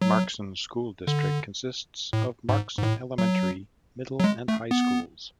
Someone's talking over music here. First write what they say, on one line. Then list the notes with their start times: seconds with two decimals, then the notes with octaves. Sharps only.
Markesan School District consists of Markesan Elementary, Middle and High Schools.
0.02 F#3
1.07 D3
2.13 A2
2.49 G#2
2.78 G#2
2.83 A2
3.18 F#3
4.20 F#3
4.24 G#3
4.48 A3
4.71 B3